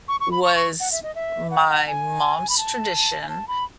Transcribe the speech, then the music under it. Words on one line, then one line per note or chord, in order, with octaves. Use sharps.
was my mom's tradition,
C#6
C#6
B5
C#6
C#6
F#5
E5
D#5
E5
F#5
F#5
G#5
B5
A5
G#5
A5
B5